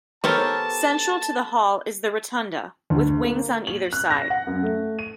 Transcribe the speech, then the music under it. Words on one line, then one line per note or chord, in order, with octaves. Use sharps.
Central to the Hall is the Rotunda, with wings on either side.
B3 G4 A4 A#4 C5 C#5 A5
D2
A#3
F#7
F#6
A#6
F#5
F#2
A3
D#7